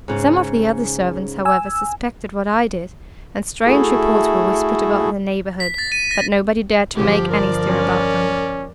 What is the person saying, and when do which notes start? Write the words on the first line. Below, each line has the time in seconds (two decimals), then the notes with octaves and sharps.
Some of the other servants, however, suspected what I did, and strange reports were whispered about the neighbourhood, but nobody dared to make any stir about them.
0.08 G#2 C#3
1.45 G#5 E6
3.66 A3 E4 F#4 G#4 A4
5.60 B6
5.78 A6
5.92 D#7
6.11 A#6
6.95 G1 F3 G4
7.30 A#4 D5
7.69 C#4